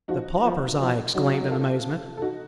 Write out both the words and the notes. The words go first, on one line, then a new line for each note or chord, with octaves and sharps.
"The paupers!" I exclaimed, in amazement.
F3 D#4 F#4
F3
F3
F#3 D#4 F#4
A#4
F4 A4
A4
D#4 F#4